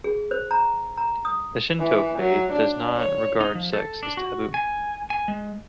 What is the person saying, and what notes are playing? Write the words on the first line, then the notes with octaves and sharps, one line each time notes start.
The Shinto faith does not regard sex as a taboo.
G#4
C5
A#5
A#5
D#6
E3
F#3
D4
C#5
D#4
F3
A4
D4
F#4
G#5
G#5
G#3